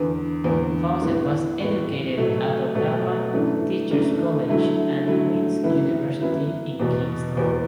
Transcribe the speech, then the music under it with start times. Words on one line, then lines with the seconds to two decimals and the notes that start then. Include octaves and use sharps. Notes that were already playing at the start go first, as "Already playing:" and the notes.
Fawcett was educated at Ottawa Teachers' College and Queen's University in Kingston.
Already playing: E2 D3 B3
0.44 E2 D3 B3
1.01 A2 E3 B3
1.60 A2 E3 B3
2.17 B2 F#3 A3
2.75 B2 F#3 A3
3.32 F#2 E3 A3 D4
3.91 F#2 E3 A3 D4
4.49 D3 F#3 A3 E4
5.06 D3 F#3 A3 E4
5.63 F#2 E3 B3 E4
6.21 F#2 E3 B3 E4
6.80 E2 B2 B3
7.37 E2 B2 B3